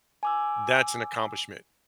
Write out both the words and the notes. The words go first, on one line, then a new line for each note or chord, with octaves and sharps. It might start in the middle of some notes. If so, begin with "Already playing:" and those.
That's an accomplishment,
G#5 D6 E6